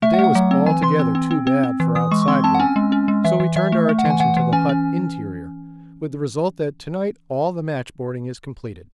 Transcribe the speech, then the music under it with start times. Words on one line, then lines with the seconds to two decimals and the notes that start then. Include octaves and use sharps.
The day was altogether too bad for outside work, so we turned our attention to the hut interior, with the result that to-night all the matchboarding is completed.
0.02 A3 E5
0.14 F#5
0.19 A3
0.24 F#5
0.35 F#3
0.51 C4
0.66 E3 G#5
0.82 E3 C6
0.99 C4
1.15 C4
1.31 C4
1.47 C4
1.64 C4
1.80 E3
1.95 E3 D#6
2.11 G#3 C#6
2.22 C#6
2.28 C4 C6
2.44 C4 A5
2.54 F#5
2.60 C#4 G#5
2.76 G#3
2.92 C#4
3.08 G#3
3.24 E3 E5
3.40 E3
3.56 E3 E5
3.72 A3
3.89 A3
3.99 F#5
4.05 E3
4.10 G#5
4.20 E3 F#5
4.37 E3
4.53 C#4 G#5
4.69 C#4